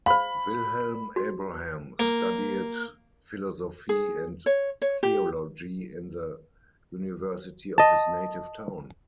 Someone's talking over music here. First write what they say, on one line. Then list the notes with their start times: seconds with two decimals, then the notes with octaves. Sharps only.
Wilhelm Abraham studied philosophy and theology in the university of his native town.
0.06 C5 F5 B5
1.16 F#4
2.00 A#3
3.89 G#4
4.46 C#5
4.82 C#5
5.03 G4
7.78 D#5 A5